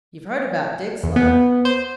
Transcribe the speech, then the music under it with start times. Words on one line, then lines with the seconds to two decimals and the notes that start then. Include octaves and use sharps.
You've heard about Dick's luck?'
1.03 E2
1.16 B3
1.65 C5